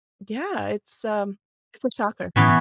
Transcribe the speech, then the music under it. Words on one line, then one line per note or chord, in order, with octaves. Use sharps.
Yeah, it's, um, it's a shocker.
A2 E3 B3 C#4